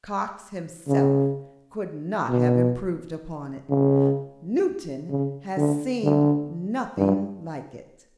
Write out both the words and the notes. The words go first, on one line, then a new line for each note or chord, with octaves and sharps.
Cox himself could not have improved upon it; Newton has seen nothing like it.
C#3
B2
C#3
C#3
D3
D3
G2